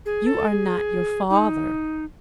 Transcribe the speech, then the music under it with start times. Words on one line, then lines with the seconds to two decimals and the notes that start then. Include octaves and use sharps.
'You are not your father.'
0.06 G#4
0.26 A4
0.48 G#4
1.30 D#4